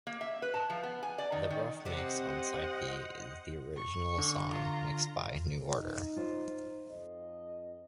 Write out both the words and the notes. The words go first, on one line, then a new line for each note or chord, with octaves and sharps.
The "Rough Mix" on side B is the original song mixed by New Order.
A#3
E5
B4
A5
F3
B3
G#5
D5
D#3
D#3
C3 G3 C4 C5 D#5 F#5
C#6
D3
F4 A#5
D#4
F4 C5
F2 D#5